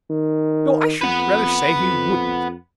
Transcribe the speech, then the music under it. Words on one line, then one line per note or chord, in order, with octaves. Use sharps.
'No, I should rather say he wouldn't.
D#3
F2 B4 F#5
F2